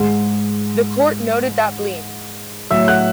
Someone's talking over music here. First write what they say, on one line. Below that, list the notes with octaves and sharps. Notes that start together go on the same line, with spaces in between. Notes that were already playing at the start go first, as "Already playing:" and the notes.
The court noted that Bleem!
Already playing: G#2 G#3
A2 F#3 E5 E6
F#5 F#6